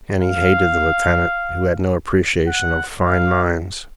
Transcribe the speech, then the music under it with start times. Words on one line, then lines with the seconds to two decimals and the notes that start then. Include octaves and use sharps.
And he hated the lieutenant, who had no appreciation of fine minds.
0.22 F5
2.47 F#5
3.02 F5